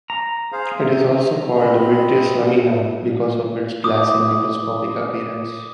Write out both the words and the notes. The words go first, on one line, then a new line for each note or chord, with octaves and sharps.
It is also called the "vitreous lamina", because of its glassy microscopic appearance.
A#5
G#4 C5 F5
E5
C4 D#5 B5
D6 D#6